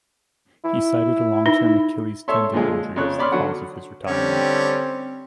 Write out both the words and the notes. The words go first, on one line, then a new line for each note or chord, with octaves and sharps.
He cited a long-term achilles tendon injury as the cause of his retirement.
E4
D#4 E4
A4 C#5 E5 C6
A#2 D3 F3 G#3 F4
G#3
F2 C#3 C#5 F#6
C#5 D5 B5 C6 D#6 F6
D3 F#3 F#5
D3 G3 C4 C#4